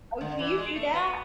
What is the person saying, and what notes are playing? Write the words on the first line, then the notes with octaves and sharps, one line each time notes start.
Oh, do you do that?
D3
E3
G#3
A3
B3